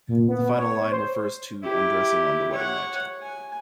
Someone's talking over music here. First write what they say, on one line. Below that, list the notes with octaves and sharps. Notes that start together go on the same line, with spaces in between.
The final line refers to undressing on the wedding night.
A#2
B3
C#5
C5
E4 G4
C#5 F#5
G#5